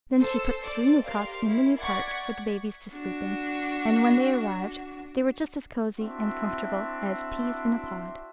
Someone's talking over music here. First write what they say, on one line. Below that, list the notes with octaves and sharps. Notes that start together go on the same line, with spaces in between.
Then she put three new cots in the new part for the babies to sleep in, and when they arrived they were just as cozy and comfortable as peas in a pod.
A4 C5 E6
C5 D5
G4 A#4 F5 C6
E4
D5 F#5 C#6 G#6 B6
D4 F#4
C4 D4 E4 F#4 E5 C6